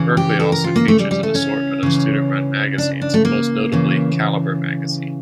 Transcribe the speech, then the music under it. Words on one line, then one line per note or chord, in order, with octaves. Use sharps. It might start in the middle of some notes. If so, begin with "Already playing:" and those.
Berkeley also features an assortment of student-run magazines, most notably Caliber Magazine.
Already playing: C#3 E3
G4
A4
A#4
F4
A#3
A3
G3
G3
A3
C#4
C#3 E3
D4
D4
A3
A#3
C#3 E3